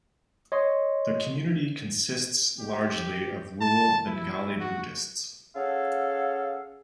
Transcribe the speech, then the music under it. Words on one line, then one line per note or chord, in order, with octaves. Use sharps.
The community consists largely of rural Bengali Buddhists.
C#5 D#5 C6
G4
A5
E4
F#4
C#4 G#4 A4 F5 F#5